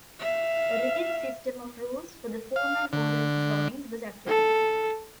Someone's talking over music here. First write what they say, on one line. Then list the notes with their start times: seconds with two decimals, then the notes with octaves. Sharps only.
A rigid system of rules for the form and order of drawings was applied.
0.19 E5 F5
2.56 F5
2.93 D3
4.28 A4